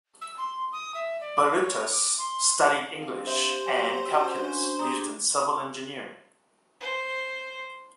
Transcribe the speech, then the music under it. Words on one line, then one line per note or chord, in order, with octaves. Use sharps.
Balutis studied English and calculus used in civil engineering.
E6
C6
D#6
E5
D5
C#5
D6
C6
C4 D4 G#4 F5
G4 C5 E5
F#3 C#5 G5 G#5
C#4 F#4 E6
D4
G4 G#4 D5 A#5 D#6
C5